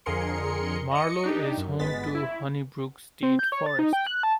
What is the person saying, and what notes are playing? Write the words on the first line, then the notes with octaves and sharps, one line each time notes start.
Marlow is home to Honey Brook State Forest.
F2 D3 G#4 A#4 C6 C#7
D#5 C#7
D4 D#4 G4
F#2
G1 G#3 B3 A6 B6
E4
C4
G6
C#5
A6
D#4
G5
F#6
A5